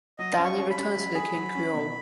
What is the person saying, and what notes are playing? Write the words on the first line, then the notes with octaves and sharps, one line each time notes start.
Danny returns to the King Creole.
F#3 D#5
C#4
C#6
C#4
B5
C#4
F#3
G#4
F#3
C#4
B2